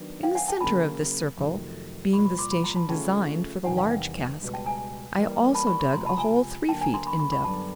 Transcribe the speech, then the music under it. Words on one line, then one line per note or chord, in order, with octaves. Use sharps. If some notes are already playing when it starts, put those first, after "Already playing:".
In the centre of this circle, being the station designed for the large cask, I also dug a hole three feet in depth.
Already playing: D#3 F#3 B3 D4
F5 G5
F#5 G#5
G5 A5
C#3 F#3 A#3 C#4 A5 B5
F2 C3 D#3 F#3 A3
C2 A#2 F3 B5 C#6
B5 C#6
C6 D6
B5 C#6
A#5 C6
A5 B5
C#3 F3 A3 C#4 G5 A5
E2 C3 D#3 G3 F#5 G#5
F5 G5
E5 F#5
C#2 B2 G3 B3
G5 A5
G#5 A#5
E3 G3 A#3
A5 B5
B5 C#6
B5 C#6
C#2 C3 F3 A#5 C6
A5 B5
G#5 A#5
D2 D3 F#3 A#3 G5 A5
G#5 A#5
A#5 C6
B5 C#6
B5 C#6
B5 C#6
F#2 D3 G3 B3 D4 A5 B5